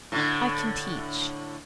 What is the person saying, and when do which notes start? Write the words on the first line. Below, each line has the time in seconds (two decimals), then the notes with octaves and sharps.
I can teach.
0.12 A2 D3